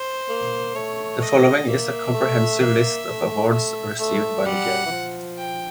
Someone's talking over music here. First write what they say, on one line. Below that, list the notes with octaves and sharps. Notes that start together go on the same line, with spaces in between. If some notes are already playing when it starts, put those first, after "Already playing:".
The following is a comprehensive list of awards received by the game.
Already playing: C5
A#3
A3 C#5
D#5
A#3 E5
A3
A#3
A3
E5
A3
G3 F#5
E3
F3
G5